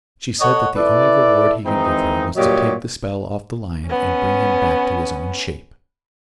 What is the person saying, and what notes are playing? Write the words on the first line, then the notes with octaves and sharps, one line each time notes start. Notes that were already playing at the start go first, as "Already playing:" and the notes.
And she said that the only reward he could give her was to take the spell off the lion and bring him back to his own shape.
A4 C#5 D#5 F#5
E4 A4 B4 D5
D#3 E3 G#3 C4 D#4
G2 A#2 F#3 G4 C#5 D#5
B3 C#4